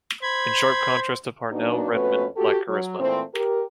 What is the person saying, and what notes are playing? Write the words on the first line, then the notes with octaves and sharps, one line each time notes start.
In sharp contrast to Parnell, Redmond lacked charisma.
C5 B5 G#6
F#3 A#3 B3 D4 D#4 F#4
F2 A3 B3 C#4 F#4 B4
F#4 G4 A4
F#3
A#2 E3 A3 C4
G4 A#4